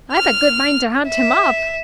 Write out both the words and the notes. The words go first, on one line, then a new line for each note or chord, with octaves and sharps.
"I've a good mind to hunt him up."
F6
E5